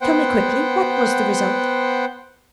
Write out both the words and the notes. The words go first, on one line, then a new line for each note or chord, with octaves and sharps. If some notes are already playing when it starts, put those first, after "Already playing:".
"Tell me quickly--what was the result?"
B3 C5 F#5 G5